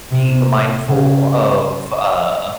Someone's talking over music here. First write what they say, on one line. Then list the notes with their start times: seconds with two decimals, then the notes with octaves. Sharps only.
being mindful of uh
0.11 C3
0.88 C#3